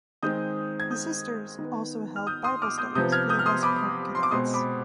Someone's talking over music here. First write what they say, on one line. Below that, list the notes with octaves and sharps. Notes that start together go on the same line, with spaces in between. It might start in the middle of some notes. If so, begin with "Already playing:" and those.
The sisters also held Bible studies for the West Point cadets.
D#3 G#3 C4 D#6 G6
G#6
D#6 G6
D#3
B3
F6
D#6 G6
C6 D#6
D6 F6
D#6 G6
C3 F3 B3 D#6 G6
F6 G#6
D#6 G6
F6
C6 D#6
B5 D6
C6
D6
B2 G#3 C4 C6 D#6
B5 D6